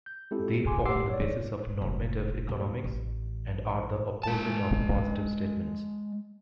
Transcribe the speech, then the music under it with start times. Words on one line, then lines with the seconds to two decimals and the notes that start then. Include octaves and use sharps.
They form the basis of normative economics, and are the opposite of positive statements.
0.06 G6
0.31 G#3 C4 E4 F4 G4 A4
0.65 G1 G#4 G#5 C6 D6
0.85 G4 F#5 C6 D6 E6 C7
1.10 C#5 D5
1.81 F1
2.49 D#2
2.84 A1
4.23 G#3 A5